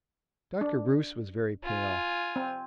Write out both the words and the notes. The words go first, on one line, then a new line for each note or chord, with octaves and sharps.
Dr. Bruce was very pale.
D4
F4 G#5
C4